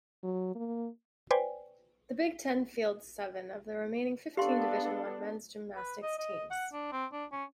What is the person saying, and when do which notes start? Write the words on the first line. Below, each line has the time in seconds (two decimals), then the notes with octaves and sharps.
The Big Ten fields seven of the remaining fifteen Division One men's gymnastics teams.
0.24 F#3
0.55 A#3
1.31 B4 C5 D5 G5 G#5
4.37 B3 D4 G4 A4 F5 C6
5.76 B4
6.03 D#5
6.18 D#5
6.50 F#5
6.73 D4
6.92 C4
7.13 D4
7.32 C#4